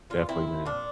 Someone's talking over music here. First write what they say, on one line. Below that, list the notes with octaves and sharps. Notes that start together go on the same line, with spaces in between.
Definitely, man.
A#2 F4
C4 E4
C4
A#2 D4